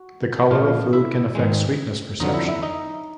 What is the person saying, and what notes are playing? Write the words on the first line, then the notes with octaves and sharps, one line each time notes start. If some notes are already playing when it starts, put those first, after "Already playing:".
The color of food can affect sweetness perception.
Already playing: F#4
A#2 F3 A3 F4 F5
E4 E5
G#2 D#3 G#3
F2 D3 F#3 D#4 D#5
E4 E5
E4 E5
D#4 D#5